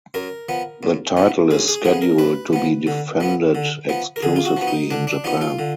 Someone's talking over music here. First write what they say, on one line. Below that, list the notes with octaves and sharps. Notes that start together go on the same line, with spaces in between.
The title is scheduled to be defended exclusively in Japan.
F#2 A#4
F3 B3
F#2
F3 B3
F#2 G#4
G#4
F3 B3 G#4
A#4
F#2 B4
F3 B3
D3
F3 B3
D3
F3 B3
A#4
D3 G#4
F4
F#4
F3 B3
D#4
D3 D4
D4
F3 B3 D#4
F4
D3